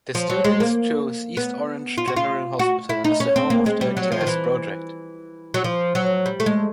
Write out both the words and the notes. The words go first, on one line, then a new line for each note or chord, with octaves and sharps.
The students chose East Orange General Hospital as the home for their class project.
F3
F#3
G#3
A#3
B3
F4
F#4
F4
F#4
E4
D#4
C#4
C4
A#3
G#3
G3
F#3
F3
D#3
E3
F#3
F3
F#3
G3
A3
G#3